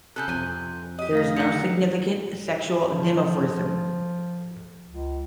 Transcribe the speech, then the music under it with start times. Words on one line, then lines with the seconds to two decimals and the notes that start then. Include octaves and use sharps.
There is no significant sexual dimorphism.
0.16 C#3 A4 F#6 G6
0.28 F2 C3 G#5
0.99 G4 D#5
1.13 A3 F5 A#6
1.37 F#3 G4 C#7
2.90 F3
4.86 C#2